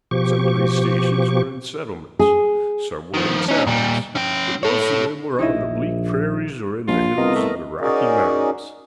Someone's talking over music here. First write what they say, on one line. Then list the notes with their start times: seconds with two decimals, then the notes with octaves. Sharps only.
Some of these stations were in settlements, some were in towns, but most of them were on the bleak prairies or in the hills of the Rocky Mountains.
0.11 B2 F3 G4 C#6
2.19 G#4
3.14 D#3 F3
3.48 C#4 D#4
3.67 A#2 G3
4.16 C#4 G5
4.63 A4 C#5
5.39 A#1 D#4 E4 D#5
6.88 A#1 F4
7.18 C2 B3 A#4 D#5
7.35 A3
7.81 C#4 D#4 F#4 G#4 A#4 D5